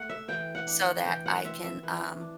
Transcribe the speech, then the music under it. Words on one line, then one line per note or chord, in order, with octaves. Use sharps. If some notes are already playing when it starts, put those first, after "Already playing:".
so that I can, um
Already playing: A3 F#5
E5
E3 G5
F#5
D4
F#5
E3 G5
F#5
C4 E5
E5
E3
D4